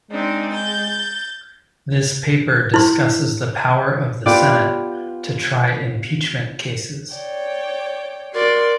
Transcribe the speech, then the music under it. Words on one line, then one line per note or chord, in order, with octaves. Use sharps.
This paper discusses the power of the Senate to try impeachment cases.
G#3 C4 D4 D#4
G6 A6
E4 C5 C6
B3 F4 G4 D5
C#5 D5 G5
F#4 A#4 D5 C6